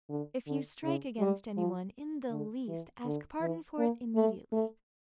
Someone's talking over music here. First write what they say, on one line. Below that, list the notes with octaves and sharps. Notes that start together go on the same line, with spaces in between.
If you strike against any one in the least, ask pardon for it immediately.
D3
D3
C#3
G3
F3
D3
E3
D3
E3
A#3
A3
A3